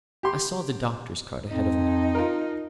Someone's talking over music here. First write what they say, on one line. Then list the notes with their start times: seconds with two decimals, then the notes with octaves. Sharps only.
I saw the doctor's cart ahead of me.
0.23 G4 C6
1.49 F2 D#4
2.15 F4 A#4